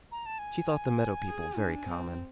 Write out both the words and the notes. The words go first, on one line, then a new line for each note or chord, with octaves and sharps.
She thought the meadow people very common.
A#5
A5
G#5
G#4
D4
C4